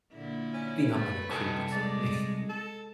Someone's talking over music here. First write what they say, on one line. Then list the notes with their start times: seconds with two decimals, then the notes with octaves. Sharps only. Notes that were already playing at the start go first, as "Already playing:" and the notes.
think I'm like a creep or something.
0.12 A#2 D3 E4
0.54 C#4
0.95 A3 B4
1.31 C2 D#3 A4 G#5
1.72 G#3 D5
2.49 A4